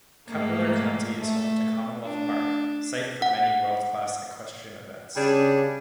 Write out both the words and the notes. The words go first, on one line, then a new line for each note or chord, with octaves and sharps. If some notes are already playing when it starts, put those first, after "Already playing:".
Culpeper County is home to Commonwealth Park, site for many world-class equestrian events.
G#2 A3 A#3
A3
D4
F#5
C#3 G3 D4 G#4